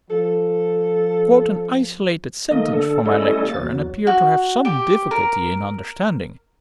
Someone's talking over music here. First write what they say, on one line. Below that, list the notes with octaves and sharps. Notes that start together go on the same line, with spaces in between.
You quote an isolated sentence from my lecture, and appear to have some difficulty in understanding it.
F3 A4
D#3 A3 A#3 D#5
D3 A4
G3 A3 C#4 E4 A4 D#5
A#3 A6
E2 F#3
F#4
G4
A#4